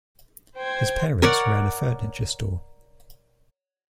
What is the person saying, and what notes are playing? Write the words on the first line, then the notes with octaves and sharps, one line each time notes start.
His parents ran a furniture store.
C5 G5 G#6
A#4 C#5 D5 F#5